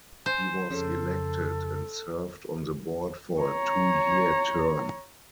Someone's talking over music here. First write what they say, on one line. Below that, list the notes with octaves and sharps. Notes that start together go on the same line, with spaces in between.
He was elected and served on the board for a two-year term.
C5 G#5
F2 C#3 A4
C#5 A#5